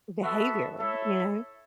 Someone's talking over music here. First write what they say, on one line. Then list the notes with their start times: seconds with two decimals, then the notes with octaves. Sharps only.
behavior, you know?
0.22 B3 F#4 A4 E5
0.80 E4 A4 C#5 E5